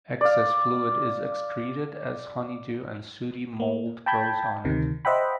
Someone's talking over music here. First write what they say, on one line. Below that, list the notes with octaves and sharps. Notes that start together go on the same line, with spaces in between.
Excess fluid is excreted as honeydew and sooty mould grows on it.
D5 F5
A#3
G5 A5 B5 G6 G#6
D2 C3 D#3
C5 D#5 E5 F#5 G5 B5